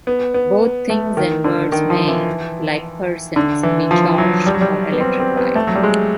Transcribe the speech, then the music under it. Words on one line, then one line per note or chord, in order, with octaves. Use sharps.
Both things and words may, like persons, be charged or electrified.
B3
B3
A3
D#3
D3
D#3
F3
E3
D3
E3
F3
F#3
G3
F#3
G3
B3
C4
C4
B3
A3
F#3
G3
G#3